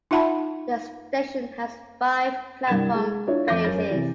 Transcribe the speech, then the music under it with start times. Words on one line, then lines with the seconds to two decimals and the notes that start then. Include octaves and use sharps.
The station has five platform faces.
0.11 D#4 F4 E5 F#5 A5 B5
2.67 C2 G2 A#4 G#6 A6 E7
2.94 G#3
3.27 D4 E4 F4 C#5
3.48 F2 D6 G6 A#6
3.64 F#2 C#4 A#4 A6 A#6
3.90 C3 E3